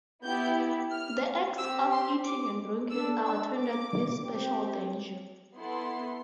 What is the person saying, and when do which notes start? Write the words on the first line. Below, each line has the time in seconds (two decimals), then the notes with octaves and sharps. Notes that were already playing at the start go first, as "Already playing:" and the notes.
The acts of eating and drinking are attended with special danger.
0.24 B3 E4 G4 G6
0.91 F6
1.57 C4 G4 E6
1.91 C6
2.24 D6
2.90 D4 A4 E6
3.24 E6
3.56 D6
4.23 C4 G4
5.55 B3 E4 A4 C6